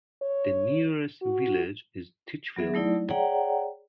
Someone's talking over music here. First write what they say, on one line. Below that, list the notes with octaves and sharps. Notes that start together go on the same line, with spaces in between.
The nearest village is Titchfield.
C#5
F#4
F#3 B3 G#4 E5
F#3 A3 D#4 E4 D5
G#4 C#5 D5 F#5 G5 A#5